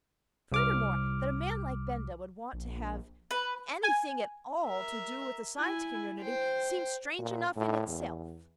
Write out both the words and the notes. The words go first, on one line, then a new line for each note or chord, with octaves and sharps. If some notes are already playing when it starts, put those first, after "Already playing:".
Furthermore, that a man like Benda would want to have anything at all to do with the Science Community seemed strange enough in itself.
C2 D6 F6
A#1
B4
G#5
A#4 E5
E4 G#5
C5 G5
A#2
A2
E2